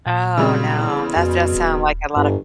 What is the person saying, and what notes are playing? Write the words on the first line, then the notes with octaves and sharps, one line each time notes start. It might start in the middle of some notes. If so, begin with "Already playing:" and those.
Oh, no. That does sound like a lot of
A#2
F#2 C#3 G3 C4
E2
F2 B2
D#1
G1 G2